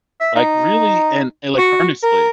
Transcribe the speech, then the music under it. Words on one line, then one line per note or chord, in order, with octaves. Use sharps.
Like, really, and and like earnestly,
E5
D#4
F#4
A#4